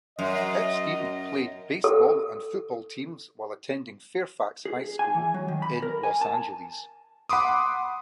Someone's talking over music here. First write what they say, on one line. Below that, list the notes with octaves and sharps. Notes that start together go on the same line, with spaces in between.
Epstein played baseball and football teams while attending Fairfax High School in Los Angeles.
F#2 D#5
A4
G#4
G#5
E3
F#3
D#3
B5
A#4
G#5
A5
F#5 B5 C6 D6 D#6